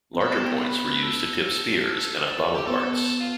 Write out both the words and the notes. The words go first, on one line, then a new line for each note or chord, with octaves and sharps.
Larger points were used to tip spears and atlatl darts.
C4
B3 A4
G4
A4
B4
A4
G4
B3 A4
A4
F4